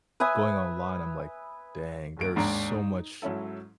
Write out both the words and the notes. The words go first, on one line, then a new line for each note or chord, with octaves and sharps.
going online, I'm like, "Dang there's so much
B4 E5 G#5 D#6
G1 D#2 D7
D#2 G#2 D4 A#5
D#4
G#2 F#3 C#4 E4 A4